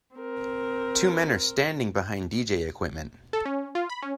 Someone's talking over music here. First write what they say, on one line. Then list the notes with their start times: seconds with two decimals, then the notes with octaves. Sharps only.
Two men are standing behind dj equipment.
0.16 C4 A#4
3.33 A4
3.45 C#4
3.75 F4
3.90 B5
4.02 C#4